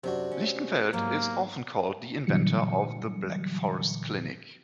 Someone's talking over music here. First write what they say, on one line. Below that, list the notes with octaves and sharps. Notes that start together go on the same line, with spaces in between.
Lichtenfeld is often called the inventor of "The Black Forest Clinic".
F#2 C3 D4 F#4
C#4
G#2 F#3 A#3 B3
A#2 D3 E3 F#3 G3 C#7